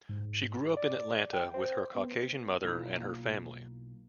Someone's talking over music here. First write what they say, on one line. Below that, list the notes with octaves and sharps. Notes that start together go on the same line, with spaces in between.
She grew up in Atlanta with her Caucasian mother and her family.
G#2
D5
G5
C5
B3
B1 A#3 E4 F4 A#5